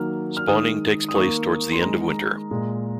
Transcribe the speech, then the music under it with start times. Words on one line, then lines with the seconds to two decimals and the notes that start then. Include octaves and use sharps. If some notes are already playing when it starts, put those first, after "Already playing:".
Spawning takes place towards the end of winter.
Already playing: D#3 F#3 A#3 F6
0.37 F6
0.48 D#3 G#3 D#6
1.09 D#6
1.15 D#3 A#3 C#6
1.72 C6
1.82 D#3 G#3 A#5
2.51 A#2 G#3